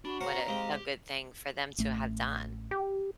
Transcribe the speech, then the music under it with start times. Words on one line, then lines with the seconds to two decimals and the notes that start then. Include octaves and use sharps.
What a a good thing for them to have done."
0.05 D4 F#4 B5
0.21 C#4 A#4 C5 F#5 A#5
0.48 D#3 G#3 C4 G4 F5
1.78 A1 A3
2.71 G4